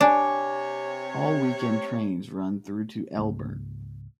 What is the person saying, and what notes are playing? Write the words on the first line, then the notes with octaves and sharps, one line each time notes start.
All weekend trains run through to Elburn.
C3 D4 C#5 G#5 D6
C#2 G#2 A#3